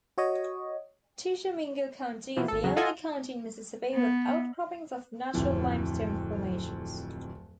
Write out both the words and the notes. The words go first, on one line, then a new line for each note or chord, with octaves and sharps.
Tishomingo County is the only county in Mississippi with outcroppings of natural limestone formations.
F#4 C#5 D#5
B2 E3 F3
G#1 A4
E2 C#3 F#3
F4 A4 D#5 F#5 G#5
B3
D1 F2 E3